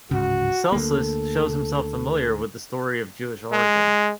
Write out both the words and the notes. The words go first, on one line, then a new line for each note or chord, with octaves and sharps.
Celsus shows himself familiar with the story of Jewish origins.
D1 G#2 C#3 F#4
D2 A#3 A4
G#3